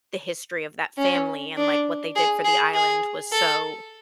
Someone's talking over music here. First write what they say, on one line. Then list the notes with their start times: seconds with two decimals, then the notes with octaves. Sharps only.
the history of that family and, like, what they did for the island was so
0.98 C#4
1.57 D4
2.16 G#4
2.45 G#4
2.74 G#4
3.33 A4